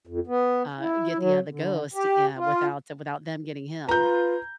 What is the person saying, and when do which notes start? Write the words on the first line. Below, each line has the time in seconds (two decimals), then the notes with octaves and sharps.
uh, get the, uh, the ghost, uh, without without them getting him.
0.07 F2
0.27 B3
0.80 E4
1.17 F#3
1.50 D3
1.94 G4
2.37 F4
3.89 F4 B4 A#5 G6